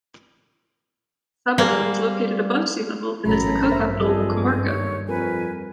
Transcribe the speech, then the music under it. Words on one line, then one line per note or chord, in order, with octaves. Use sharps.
Sabadell is located above sea level and is the co-capital of the "comarca".
G3 A#3 G#4 C5
A1 F#2 A2 F#3 A4 A#5 B5
G2 A#4 C5 E5
F2 G3 G#4 A4 D#5
D#2 C#5
F2 A#4 B4 G#5